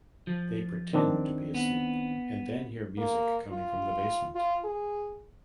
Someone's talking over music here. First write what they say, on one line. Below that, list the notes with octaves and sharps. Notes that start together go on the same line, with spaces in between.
They pretend to be asleep and then hear music coming from the basement.
F3
D#3 C4 D4
B3
A#3
F4
F4
G#4